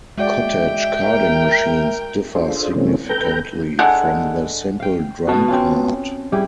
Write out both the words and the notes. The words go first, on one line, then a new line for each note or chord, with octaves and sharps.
Cottage carding machines differ significantly from the simple drum card.
G#3 F#4 D5 E5 G5
A#4
D4 F4 G#4 A4 C5
C3 E3 G#3 A#3 C4 C#4
A4 B4 G5 A#5 G6
D3 G#3 F#5
F5 G5
B3 F#4 A5
C4 C#4 F4
G3 E4 G4 G#4